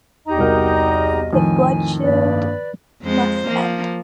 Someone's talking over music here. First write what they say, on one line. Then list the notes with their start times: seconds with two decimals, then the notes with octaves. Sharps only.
The bloodshed must end.
0.27 E2 D#4 G4 D#5 A#5
0.38 C2 F#4 A#4
1.33 F2 A2 D#3 G#5
2.00 G2 A#3 B4 D5
3.02 F2 G#3 C5
3.48 F3 A#3